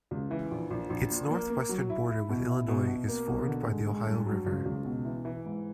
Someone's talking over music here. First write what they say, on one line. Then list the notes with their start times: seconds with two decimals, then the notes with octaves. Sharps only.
Its northwestern border with Illinois is formed by the Ohio River.
0.11 C#2
0.31 E3
0.51 A#1
0.70 A#1
0.90 A#1
1.10 A#2
1.31 A#3
1.50 A#3
1.69 F#3
1.90 E4
2.09 E4
2.29 B2
2.48 E4
2.68 B2
2.87 B2
3.08 A#3
3.27 B2
3.47 D3
3.67 G#3
3.87 G#3
4.06 G2
4.26 F#3
4.46 C#2
4.66 C#2
4.85 B2
5.05 E3
5.25 E3
5.45 G#2